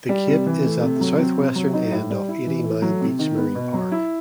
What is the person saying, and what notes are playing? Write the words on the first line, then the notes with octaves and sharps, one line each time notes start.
The cape is at the southwestern end of Eighty Mile Beach Marine Park.
G3
C3
E3
A3
C3
F#3
C4
C3
F#3
D#4
A2
G3
E4
E3
A3
F#3
C3
D#3
B3
B2
F#3
E4